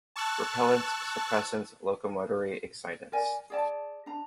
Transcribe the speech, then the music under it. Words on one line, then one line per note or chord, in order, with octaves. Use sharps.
Repellents, suppressants, locomotory excitants.
A5 C#6 E6 F#6 A6
A#4 D5 G#5
G#4 D5 A5
D4 A#5